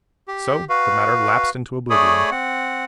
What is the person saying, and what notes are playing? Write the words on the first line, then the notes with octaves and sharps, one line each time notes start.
So the matter lapsed into oblivion.
G4
F#4 B4 F5
A3 G#4 C#5 D5 B5 D#6
C4 F#5